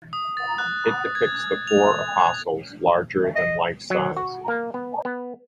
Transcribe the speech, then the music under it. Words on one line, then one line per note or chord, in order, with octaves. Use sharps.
It depicts the four apostles larger-than-life-size.
D#6
A6
F#6
G#6
F7
D#5
F#3
F#4
A#3
B3
B3